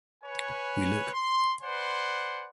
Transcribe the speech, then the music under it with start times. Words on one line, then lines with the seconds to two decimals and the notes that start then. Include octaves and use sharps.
We look.
0.24 B4 C#5 G#5
1.13 C6
1.61 B4 C5 D5 F#5 G#5 C6